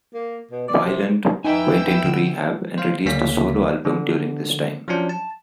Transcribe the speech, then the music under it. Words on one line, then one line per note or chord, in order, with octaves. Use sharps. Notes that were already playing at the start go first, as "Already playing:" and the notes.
Weiland went into rehab and released a solo album during this time.
A#3
B2
D5
C3
F2 D#4 E4 B4 G5 G#5 E6
D3 F#4
C5 F5
D2 C#3 A#3 C#4 B6
D3
F3 F#3 C#4 D4
A5